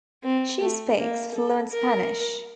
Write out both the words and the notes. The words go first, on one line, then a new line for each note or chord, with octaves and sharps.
She speaks fluent Spanish.
C4
A3
A#3
A4
A#4